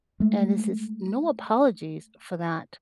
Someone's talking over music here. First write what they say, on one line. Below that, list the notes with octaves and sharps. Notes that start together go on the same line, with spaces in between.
And this is no apologies for that.
G#3 A3